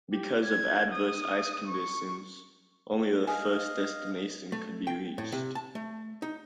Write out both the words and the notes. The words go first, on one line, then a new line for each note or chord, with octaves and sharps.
Because of adverse ice conditions, only the first destination could be reached.
G4
G#6
D#6
C#6
D#5 F5 G#5
A3
G5
A2
C3
A5
A3
D#4